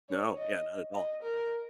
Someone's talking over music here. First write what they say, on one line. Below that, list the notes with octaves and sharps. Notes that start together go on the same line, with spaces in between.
No, yeah, not at all.
C#5
D#5
D#5
A#4